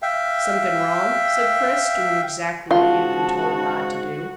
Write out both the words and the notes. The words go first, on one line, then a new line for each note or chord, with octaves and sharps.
"Something wrong?" said Chris, doing exactly what he had been told not to do.
E5 F5 G5
G#2 C#3 F4 F#4 A5